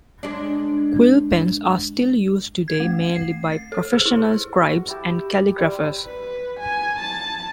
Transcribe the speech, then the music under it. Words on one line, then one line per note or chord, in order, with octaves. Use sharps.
Quill pens are still used today mainly by professional scribes and calligraphers.
G#3 D4
G#6
A3
C7
A6
A4
G#4
E4
F#4
E4 G4 A5
G3 E4 C5
B4
G#5
A5